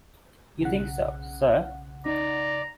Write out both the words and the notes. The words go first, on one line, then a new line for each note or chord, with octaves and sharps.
You think so, sir?
B1 C#3 F#5
D#4 D5 A#5